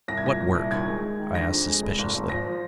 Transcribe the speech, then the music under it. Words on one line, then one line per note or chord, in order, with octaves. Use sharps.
"What work?" I asked suspiciously.
C2 A#6
G#6
A#2 A#6
A#2
C2
D#2 G#6
G#3
G#3
D#3
D3 A#6
F2
G#3
F1
G#1
G#1
F3 A#6
F3